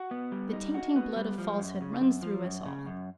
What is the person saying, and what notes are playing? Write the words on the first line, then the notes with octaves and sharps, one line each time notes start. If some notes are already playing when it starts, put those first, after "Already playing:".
The tainting blood of falsehood runs through us all.
Already playing: F#4
B3
G3
D#4
F#4
B3
G3
F3
F#2
C#3
F#2
F3
F#2
C#3
F#2